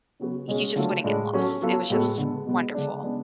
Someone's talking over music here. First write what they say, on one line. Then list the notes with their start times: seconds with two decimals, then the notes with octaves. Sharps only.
You just wouldn't get lost it was just wonderful.
0.20 C#3 F#3 B3 F#4
0.48 B2 G#3 C#4 G#4
0.76 D3 F#3 A3 F4 A4
1.04 A2 G#3 D4 F4
1.33 F#3 C#4 F#4 A4
1.62 F#3 B3 F4 A4
1.90 A2 G#3 B3 F#4 A4
2.18 D3 G#3 B3
2.47 B2 G#3 B3
2.74 D3 G#3 D4
3.03 C#3 G#3 B3 D4 G#4